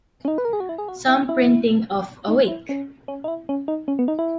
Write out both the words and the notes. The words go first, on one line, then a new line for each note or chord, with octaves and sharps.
Some printing of Awake!
C#4
D#4
B4
A#4
G#4
F#4
E4
G#4
F#4
E4
E4
D#4
E4
C#4
C#4
D#4
E4
C#4
D#4
C#4
B3
D#4
E4